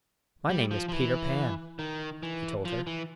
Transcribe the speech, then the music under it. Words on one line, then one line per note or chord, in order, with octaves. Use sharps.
"My name is Peter Pan," he told her.
G3
F3
F3
E3
D#3
E3
F3
E3